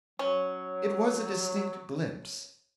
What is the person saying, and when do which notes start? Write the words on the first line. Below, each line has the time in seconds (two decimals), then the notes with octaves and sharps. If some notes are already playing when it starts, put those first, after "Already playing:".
It was a distinct glimpse.
0.19 F#3 C#4